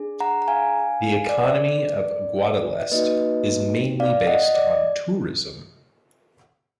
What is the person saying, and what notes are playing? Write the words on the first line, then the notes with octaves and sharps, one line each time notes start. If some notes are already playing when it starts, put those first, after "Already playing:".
The economy of Guadalest is mainly based on tourism.
Already playing: D4 G#4
F#5 A#5
A#5
F5 G#5
D5
A#3 D#4 F#4 B4 D#5
D5 F5
D#5 F#5
D#5
D5